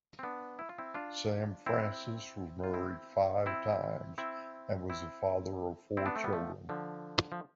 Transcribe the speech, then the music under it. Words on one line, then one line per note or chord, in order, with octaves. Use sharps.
Sam Francis was married five times, and was the father of four children.
C4
B3 D4
E4
F4
C4 E4
D4 F4
C4 E4
F4
C4 E4
C4 E4
C4 E4
C4 E4
C4 E4
B3 D4
A3 C4
G3 B3
F3 A3
D3 F3
F3